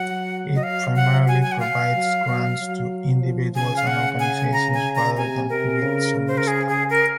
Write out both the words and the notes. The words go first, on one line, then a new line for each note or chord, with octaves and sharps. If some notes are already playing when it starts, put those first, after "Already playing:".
It primarily provides grants to individuals and organizations rather than through its own staff.
Already playing: F#3 F#5
D#5
F5
F#5
F#3 G#5
G#5
F#5
F5
F#3
F#3
F#3
F3
C#3 G#5
F5
F#5
G#5
A#5
G#5
A#5
C3 G#5
C3 A#4
C#3
C5
A#4
G#4
G#4
A#4